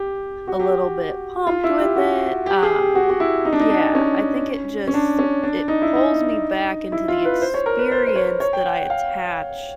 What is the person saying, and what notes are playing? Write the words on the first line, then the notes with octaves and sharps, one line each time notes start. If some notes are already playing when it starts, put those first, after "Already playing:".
a little bit pumped with it, um, yeah, I think it just it pulls me back into the experience that I attach
Already playing: G4
F#4
G4
F#4
F4
E4
G4
F#4
G4
G#4
G4
F#4
G4
F#4
E4
D#4
D4
D#4
D4
C#4
C#4
D4
C#4
D4
D#4
E4
D#4
E4
F4
B4
C5
C#5
A#4
B4
C5
C5
C#5
C#5
G5
F#5
F5